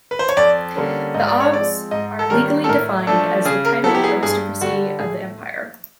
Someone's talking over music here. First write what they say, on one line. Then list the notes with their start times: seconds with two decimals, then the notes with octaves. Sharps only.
The Abhs are legally defined as the titled aristocracy of the empire.
0.11 B4
0.19 C5
0.29 C#5
0.37 F2 D5
0.76 D3 G3 A#3 C#4
1.14 G#2 D#5
1.27 D5
1.40 C#5
1.53 F3 G#3 C4 D5
1.91 G#2 D#5
2.19 A4
2.30 D#3 G3 A#3 C#4 A#4
2.64 A4
2.69 A2 A#4
3.07 F3 A3 D4 A4
3.45 C#3 G#4
3.65 A#4
3.84 F#3 B3 E4 A4
3.94 G4
4.04 G#4
4.23 G2 G#4
4.61 D3 G3 F#4
5.00 A2 G#4